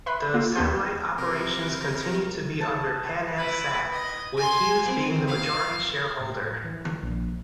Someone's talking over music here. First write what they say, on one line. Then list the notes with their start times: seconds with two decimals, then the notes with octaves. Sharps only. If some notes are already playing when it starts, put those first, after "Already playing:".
The satellite operations continued to be under PanAmSat with Hughes being the majority shareholder.
0.06 B4 E5 B5 C6 F#6
0.34 A#3 F4
0.55 D#2 B3 G4 C6
0.71 B3
1.18 C3 A#4
2.61 A5
3.36 E4 B4
3.92 D#5
4.37 G#5 C6
4.85 C4
5.28 F5
6.20 A2
6.64 E3
7.03 A#1